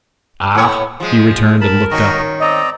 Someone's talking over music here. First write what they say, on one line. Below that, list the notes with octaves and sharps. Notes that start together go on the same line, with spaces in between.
"Ah!" he returned, and looked up.
A2 B3 C#5
F3 G#3
A#4 A5 B5
D#3 C#4 D#4 F#4 D#5
C4 D5 D#5 A#5